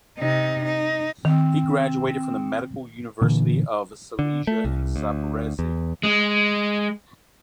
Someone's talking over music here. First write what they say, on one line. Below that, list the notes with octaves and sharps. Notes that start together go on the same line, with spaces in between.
He graduated from the Medical University of Silesia in Zabrze.
C3 D#4
D#4
D#3 C4
A#2 D3 E3
D3
A3
C2
D2
E2
G#3